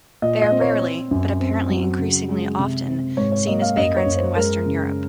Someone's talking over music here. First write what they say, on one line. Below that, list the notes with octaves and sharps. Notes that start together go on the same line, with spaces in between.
They are rarely-but apparently increasingly often-seen as vagrants in western Europe.
A#2 D#5
D#5
C4
C#5
C4
F#2
C4
F#3
C#3
G#3
C3
C4
G#2 C#5
C#5
A#3 D#5
F5
F#2 D#5
C#5
F#2
C5
G#3 A#4
C#3